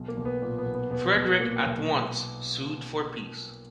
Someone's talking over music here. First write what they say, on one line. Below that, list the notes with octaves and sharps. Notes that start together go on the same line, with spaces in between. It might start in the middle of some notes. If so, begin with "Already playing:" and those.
Frederick at once sued for peace.
Already playing: B1
A#3
B1
B3
A#2
B3
B1
B3
B1 B3
B1
A#2 A#3
B1